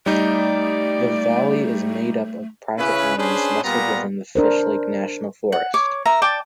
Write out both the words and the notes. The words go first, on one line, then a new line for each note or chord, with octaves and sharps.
The valley is made up of private lands nestled within the Fishlake National Forest.
G3 A3 D#4 D5
C#3 C#4 E4 B4
C#4 D4 G#4 B4 C5
A#2 G3 B3 F4 A#5
D4 A#4 C5
F#5
C#5 D6
A#4 E5 A#5
D5 G5 A5 D6